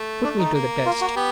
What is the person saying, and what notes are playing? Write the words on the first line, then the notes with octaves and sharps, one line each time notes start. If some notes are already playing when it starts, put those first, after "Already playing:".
"Put me to the test."
Already playing: A3
D4
D#4
A3
A#3
F4
F#4
B3 G4